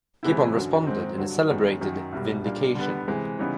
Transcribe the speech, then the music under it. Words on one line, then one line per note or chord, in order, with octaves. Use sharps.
Gibbon responded in his celebrated "Vindication".
C3 E3 G#3 B3 E4
F#2 D3 F#3
G#2 D#3 G#3 C4 D#4
G2 D3 F#3
F#2 D#3 G#3 B3
F#2 D#3 F#3
C2 B2 G3
A#2 G3 A#3 D4
D3 G3 B3
C3 E3 G#3
C#3 E3 G3 B3 D#4